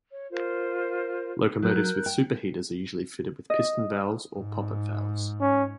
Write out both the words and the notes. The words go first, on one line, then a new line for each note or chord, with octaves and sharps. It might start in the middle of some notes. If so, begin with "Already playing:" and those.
Locomotives with superheaters are usually fitted with piston valves or poppet valves.
C#5
F4 A#4 C5
F#3 A#4 F#6 G6
G5
D#5
G#2
C#4